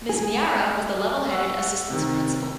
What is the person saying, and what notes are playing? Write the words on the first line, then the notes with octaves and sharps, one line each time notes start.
Ms. Meara was the level-headed assistant principal.
G#4
F#5 C#6 E6
C3 D#3